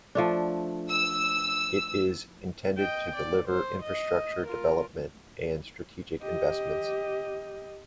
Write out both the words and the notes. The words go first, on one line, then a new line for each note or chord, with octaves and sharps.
It is intended to deliver infrastructure development and strategic investments.
F3 A3 D4
E6
D#5 G5
D5
C5
D#5
F4 A#4
G4 D#5